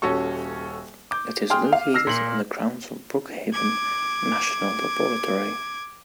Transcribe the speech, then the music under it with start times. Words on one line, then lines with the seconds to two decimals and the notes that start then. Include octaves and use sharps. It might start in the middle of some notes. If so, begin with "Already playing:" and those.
It is located on the grounds of Brookhaven National Laboratory.
0.02 D#1 C#4 F#4 A4 C#6
1.11 D6 G6
1.50 G#4 G5 C6 F6
1.73 F5
1.94 E6 F6 A#6 C7
2.07 A#2 F#7
3.53 D6 G#6